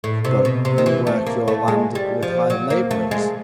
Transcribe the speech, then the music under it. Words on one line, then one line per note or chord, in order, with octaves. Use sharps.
"But you work your land with hired laborers?"
A2
C3
B2
C3
D#3
E3
A3
A#3
A3
G#3
G3
F3
F#3
A#3
A3
G#3